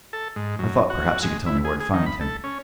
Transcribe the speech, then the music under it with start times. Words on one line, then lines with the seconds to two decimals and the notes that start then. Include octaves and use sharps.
I thought, perhaps, you could tell me where to find him.
0.13 A4
0.36 G#2
0.59 F#2
0.90 F#4
1.22 G#3
1.46 E4
1.65 G#4
1.80 G#4
1.93 D#3
2.06 B5
2.21 A4
2.44 C#4